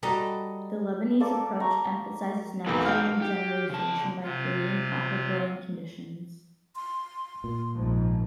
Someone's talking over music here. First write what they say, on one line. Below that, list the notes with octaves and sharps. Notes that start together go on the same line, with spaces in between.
The Lebanese approach emphasizes natural regeneration by creating proper growing conditions.
G3 F#4 A4 D#5 A#5
A#3 A4 D5
A#5 C#6
B1 E3 G#3 A#4
F5 G5
G4
C#3 A5
C3 F4
C6
A#2
A#1 G#2 F3